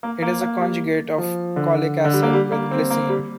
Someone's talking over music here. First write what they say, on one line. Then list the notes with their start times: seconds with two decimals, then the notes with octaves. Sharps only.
It is a conjugate of cholic acid with glycine.
0.03 A#3
0.22 A#3
0.41 A#3
0.60 G3
1.18 F3
1.56 D3
2.05 D3
2.13 G3
2.23 A#3
2.33 G3
2.52 A#3
2.71 C4
2.90 A#3
3.09 G3